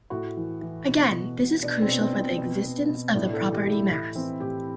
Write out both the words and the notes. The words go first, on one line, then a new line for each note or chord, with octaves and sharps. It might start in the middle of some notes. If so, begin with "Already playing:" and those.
Again, this is crucial for the existence of the property "mass".
A2 F#4
E3
E3
B2
B2
B2
B2 D4
C4
B2
C4
B2
C4
B2
B2
B2
A2 D4
A4
E3
G4
A2
E4
A2 E4
E3 C4
A2 G4